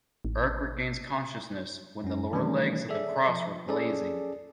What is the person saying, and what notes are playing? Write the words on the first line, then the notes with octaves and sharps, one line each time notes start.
Erg regains consciousness when the lower legs of the cross were blazing.
A1
F#2 C#4
D#3 E3 G3 A3 C#4 D4
G#4 A4 D5 E5
F3
C#4 G#4 A4 D5